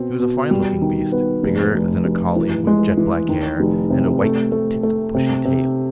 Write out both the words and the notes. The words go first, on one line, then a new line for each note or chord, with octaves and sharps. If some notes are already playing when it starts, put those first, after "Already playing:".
He was a fine-looking beast, bigger than a collie, with jet-black hair and a white-tipped bushy tail.
Already playing: B2 C4
B2
G3
D#3
B3
F1
F1
F1
E3
G#3
E3
D#3
F1
C3
A3
A3
A3
C3
C3